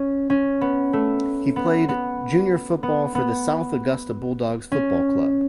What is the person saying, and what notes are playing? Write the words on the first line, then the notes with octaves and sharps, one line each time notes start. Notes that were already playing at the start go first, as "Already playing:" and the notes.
He played junior football for the South Augusta Bulldogs Football club.
Already playing: C#4
C#4
B3
A3
B3
B3
B3
B3
C#4